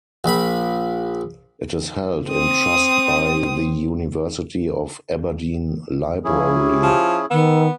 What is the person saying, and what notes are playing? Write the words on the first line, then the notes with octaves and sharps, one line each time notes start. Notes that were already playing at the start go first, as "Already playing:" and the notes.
It is held in trust by the University of Aberdeen Library.
A#1 B5
C4 D#6
F3 C#4 E4 G#4
G4
F3
D#3 B3 E6